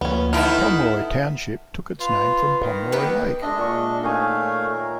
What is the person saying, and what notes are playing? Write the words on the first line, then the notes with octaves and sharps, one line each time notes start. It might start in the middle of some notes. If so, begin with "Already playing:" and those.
Pomroy Township took its name from Pomroy Lake.
D2 F3 A#3 B3 C#4
A3 B3 D#4 E4 F6
F4 B4
D#3
B3 G4 B4 G5
G#3 D4 D#5 E5
A#2 C#6
D#3 A3 C#5 F5 G#5
A#4